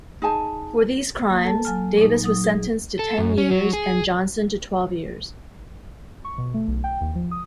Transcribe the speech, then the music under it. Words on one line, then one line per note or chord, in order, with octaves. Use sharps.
For these crimes, Davis was sentenced to ten years and Johnson to twelve years.
D#4 G#4 G#5 A5
A#3
A4 A5
F#3 G#5 F6
A#2 D#4
F#3 D#6
G#4
A4
F#2
C#4
F#3
G#4
C#6
B2
A3
B1
G5
D#2
F3
D#6